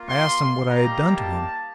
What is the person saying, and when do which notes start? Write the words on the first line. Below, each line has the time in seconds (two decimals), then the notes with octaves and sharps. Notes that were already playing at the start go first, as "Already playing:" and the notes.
I asked him what I had done to him.
Already playing: A#3 F4
0.08 C6
0.69 G3 A#3 D#4 G4 A#5
1.15 A5